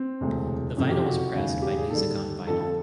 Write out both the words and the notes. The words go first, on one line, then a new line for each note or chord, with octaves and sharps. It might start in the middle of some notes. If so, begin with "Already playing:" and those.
The vinyl was pressed by Music On Vinyl.
Already playing: C4
E1 D2 C3
F#1 F2 C3 C#4
G4
F#4
E1 D#2 C#3
G4
G#4
D#2 D3 G3 A4
F2 D3 F3 A4
A4